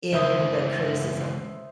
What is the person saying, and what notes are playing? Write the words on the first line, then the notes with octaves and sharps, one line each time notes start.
...in the criticism.
C#2 E3 C5 E5 D#6